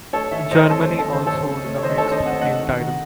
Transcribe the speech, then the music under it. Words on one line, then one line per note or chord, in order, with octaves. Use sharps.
Germany also won the mixed team title.
A3 A4 C#5
D#3 C#5 E5
D#3 C5 D#5
C5
C4 A4
A3 C5
A4
D#3 C5
D#3 A4 C#5
C4
A3
C#5
D#3 C5 D#5
A4 C#5
D#3
C5 D#5
C4 D#5 F#5
A3 D#5 F#5
D#3
D#3